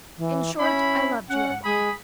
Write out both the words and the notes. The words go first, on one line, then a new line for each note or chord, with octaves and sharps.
In short, I loved you, Armand.
E3
C#4 E4 B5
C#4 F#5
G#3 G#4 B5 D#6